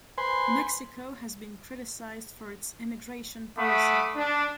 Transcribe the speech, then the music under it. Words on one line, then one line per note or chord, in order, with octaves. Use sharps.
Mexico has been criticized for its immigration policy.
B4 C5 G#5 C6
A3 F#5 B5 D6 D#6
D4